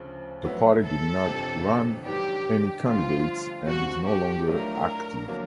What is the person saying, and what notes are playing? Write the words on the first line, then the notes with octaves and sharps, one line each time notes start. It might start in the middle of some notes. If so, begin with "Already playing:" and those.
The party did not run any candidates and is no longer active.
Already playing: D2 C#3 F3
A2 F#3 B3 E4
A4
G1 F2 C3
G#2 D#3 F#3 B3 D4 G4
A1 G2 D3 F3 A3 F4
C#2 B2 G3 C4 F#4
G4
A2 F#3 A3 D4 F4 A#4
D3 F#3 A#3